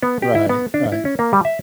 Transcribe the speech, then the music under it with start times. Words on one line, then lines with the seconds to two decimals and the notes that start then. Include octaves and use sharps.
Right. Right.
0.03 B3
0.22 G4
0.35 E4
0.49 B3
0.74 D4
0.92 E4
1.05 C#4
1.19 A#3
1.33 G3
1.45 E5